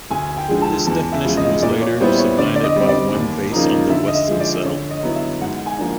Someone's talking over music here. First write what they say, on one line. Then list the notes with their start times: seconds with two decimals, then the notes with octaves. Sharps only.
This definition was later supplanted by one based on the Weston cell.
0.10 D2 G#5
0.37 G5
0.48 D3 F3 G#3
0.62 A5
0.87 E2 A5
1.12 E5
1.25 C#3 F3 G#3
1.37 D#5
1.62 A#2 D5
1.81 C#5
2.00 G3 B3 E4 C5
2.19 C#5
2.38 D3 D5
2.56 D5
2.64 D#5
2.76 G3 C4
2.89 D5
3.14 D#2
3.51 C#3 F3 A#3 D#4
3.89 D3 E5
4.08 D#5
4.15 E5
4.27 F3 G#3
4.40 D5
4.65 D3 C#5
4.90 D#5
5.03 F#3 B3 E4
5.16 E5
5.41 G#2 F#5
5.66 G#5
5.78 F3 A#3 D4